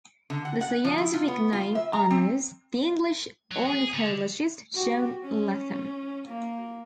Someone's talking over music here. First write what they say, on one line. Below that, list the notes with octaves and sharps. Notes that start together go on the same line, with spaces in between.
The scientific name honours the English ornithologist John Latham.
D3
F#5
F#5
F3
E4
F4
B3
F4
E5
A#5
C4
F#3
G#4
D3
F#4 G4
C#4
A#3